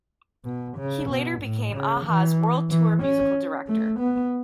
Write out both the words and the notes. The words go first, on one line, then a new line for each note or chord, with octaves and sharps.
He later became a-ha's world tour musical director.
B2
C#3
B2
A2
C#3
E3
E3
C#4
A3
B3